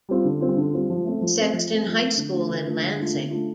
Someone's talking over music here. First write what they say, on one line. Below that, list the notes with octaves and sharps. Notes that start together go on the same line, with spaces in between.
Sexton High School in Lansing.
G3 C4 F4
D3
G3 C4 F4
D3
G3 C4 F4
F3
A3 C4
F3
A3 C4
F3
A3 C4
F3
A3 C4
D3
A3 D4 F4
D3
A3 D4 F4
D3
A3 D4 F4
D3
A3 D4 F4